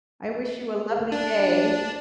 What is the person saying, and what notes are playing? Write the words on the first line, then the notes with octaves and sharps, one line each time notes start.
I wish you a lovely day.
D4